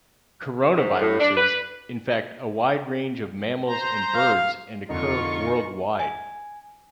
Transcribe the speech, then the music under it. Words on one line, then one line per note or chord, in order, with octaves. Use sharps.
Coronaviruses infect a wide range of mammals and birds and occur worldwide.
G#2
A2
D4
B4
C5 A#5
F5
F2 D3 A#3 D#4 F4 C#6
G#5